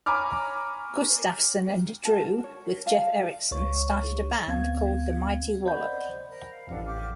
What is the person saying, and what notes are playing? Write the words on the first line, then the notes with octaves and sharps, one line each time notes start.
Gustafson and Drew, with Jeff Erickson started a band called The Mighty Wallop!
C#5 G#5 A#5 B5 D6 F6
F#4 A4 A#4 A5
C#5
D5 F5 A5
C#2 C#5 C#6
D2 B3 C4 F5 G#6
C5 D5 D#5 F#5 B5 G6
A#4 B5
F5
A1 F2 D4 A4 F5 F#5
G4 D6 F6